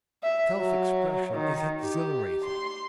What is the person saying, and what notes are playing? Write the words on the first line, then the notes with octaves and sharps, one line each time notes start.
Self-expression is exhilarating.
E5
F#3
D#3
G4
C6